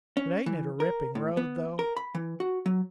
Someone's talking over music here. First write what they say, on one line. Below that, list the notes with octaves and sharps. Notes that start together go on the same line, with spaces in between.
But ain't it a ripping road, though?
C#4
E3
A#4
A2
B3
A#4
B5
E3
F#4
F#3